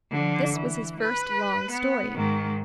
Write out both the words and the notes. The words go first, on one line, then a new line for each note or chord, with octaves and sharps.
This was his first long story.
D3 F3
E3
B4
B3
G#2 D#3